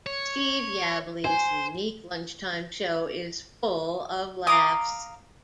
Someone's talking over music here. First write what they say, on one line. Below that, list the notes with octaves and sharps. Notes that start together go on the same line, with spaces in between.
Steve Yabsley's unique lunchtime show is full of laughs.
C#5
C5 G#5
F5 A#5 D6 D#6